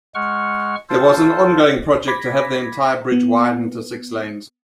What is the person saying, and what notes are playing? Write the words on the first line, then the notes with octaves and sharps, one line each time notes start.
There was an ongoing project to have the entire bridge widened to six lanes.
G#3 F#5 C#6 F6
F4 A4 C5
B5 D6 G#6 A#6 B6
B3